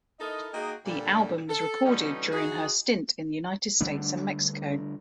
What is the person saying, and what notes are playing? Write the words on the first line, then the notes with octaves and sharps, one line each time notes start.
The album was recorded during her stint in the United States and Mexico.
D#4 E4 A4 A#4 D#5
A#3 D#4 F#4 G#4 D#5 G5
A#2 D3 G3
A4
B2 D3 E3 G3 C#4 D#4
D#4 E4 F#4 G#4
D3 G3 A3 D4